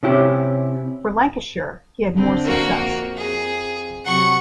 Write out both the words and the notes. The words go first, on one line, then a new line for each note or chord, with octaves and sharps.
For Lancashire he had more success.
C3 C#4 E4 G4
D3 C4
A#3 F#4
F2
G#4
C3 F#3 F#5 C#6